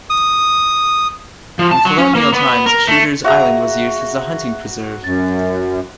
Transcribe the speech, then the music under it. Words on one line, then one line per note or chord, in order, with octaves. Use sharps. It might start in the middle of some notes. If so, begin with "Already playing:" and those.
In colonial times Shooters Island was used as a hunting preserve.
D#6
F3
A5
F#3
C#4
A#3
B3
A#4
A3
F#4 G#4 E5 F5 A#5
F#2 A6